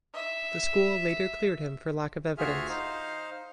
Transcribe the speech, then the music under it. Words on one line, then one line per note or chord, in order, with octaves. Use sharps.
The school later cleared him for lack of evidence.
E5
D2 F4 F#4 G#4 E5 F6
D#4 C5 F5